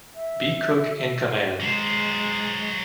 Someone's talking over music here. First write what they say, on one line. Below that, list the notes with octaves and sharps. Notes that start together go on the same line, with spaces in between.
B. Cook in command.
E5
F#3 G#3 C5